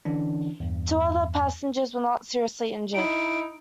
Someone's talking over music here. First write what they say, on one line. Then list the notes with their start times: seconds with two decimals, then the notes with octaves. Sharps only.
Two other passengers were not seriously injured.
0.05 D3 E3 C#4 D4
0.60 E2 G2
2.94 D#4 E4 D7